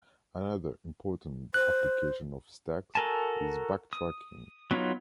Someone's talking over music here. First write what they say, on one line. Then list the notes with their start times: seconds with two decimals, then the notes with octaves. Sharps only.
Another important application of stacks is backtracking.
1.54 C5 F#6
2.95 F#4 A4 A#4 G#5 A5
3.93 D#6
4.71 F#3 B3 D#4 F4 C#5